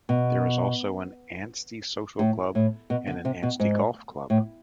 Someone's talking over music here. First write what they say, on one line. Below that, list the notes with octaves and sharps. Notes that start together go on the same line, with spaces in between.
There is also an Ansty Social Club and an Ansty Golf Club.
B2
A2
A2
B2
D3
C3
B2
G#2
A2